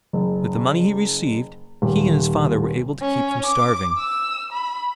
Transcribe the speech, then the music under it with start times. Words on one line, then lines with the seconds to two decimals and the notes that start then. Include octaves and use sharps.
With the money he received, he and his father were able to keep from starving.
0.13 F#1
1.82 D#1
3.02 C#4
3.45 D6
3.98 E6
4.52 B5